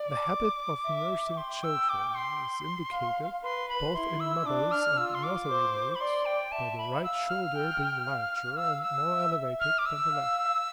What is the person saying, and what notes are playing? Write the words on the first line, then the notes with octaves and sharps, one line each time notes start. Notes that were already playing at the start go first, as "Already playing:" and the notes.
The habit of nursing children is indicated, both in mothers and nursery-maids, by the right shoulder being larger and more elevated than the left.
Already playing: D5
D6
E5
G5 C6
E6
D6
C6
F5
B4 C6
B5
E4 C6
E6
D4 D6
F6
F4 E6
C6
D6
C5
B5
D5 C6
G5
E5 A5
B5
F5 E6
F6
G5
F5
F5 E6
E6
E5
F6
D6
E6
F5